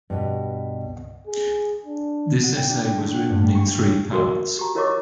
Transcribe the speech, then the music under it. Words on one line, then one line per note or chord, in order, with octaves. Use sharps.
This essay was written in three parts.
G2 B2
G#4
D4
F#5
G5
D4
G5
A3
F#5
G2
G3
C#6
G4
C#4
F#4 A#4
G4 A#5
E4 A#4 C#5 D#5 C#6 D6